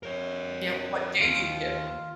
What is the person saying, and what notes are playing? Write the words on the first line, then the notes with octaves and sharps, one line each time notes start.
You know, what do you do?
F2 A#4 C#5
D#2 F4